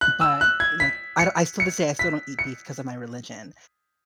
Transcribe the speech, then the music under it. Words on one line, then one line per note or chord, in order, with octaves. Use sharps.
but, like, I d I still this day I still don't eat beef 'cause of my religion,
F#6
E6
F#6
G#6
B6
C#7
C#7
B6
C#7